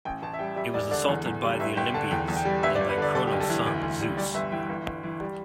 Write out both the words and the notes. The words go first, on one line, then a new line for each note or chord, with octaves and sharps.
It was assaulted by the Olympians, led by Kronos' son Zeus.
A1 G5
A1 A5
E5
G3 G5
G3 E5
E1 D5
D3 D5
E2
E2
G3
G1 E5
G1 G5
D3 A5
E2 G5
E2
G5
G3
G1 E5
D5
G1
B4
D3 D5
G3 A4
G4
B1
A4
E3
D2
D2
G3
G3 D5
G1 E5
E3 G5
G1
G1
E3
G3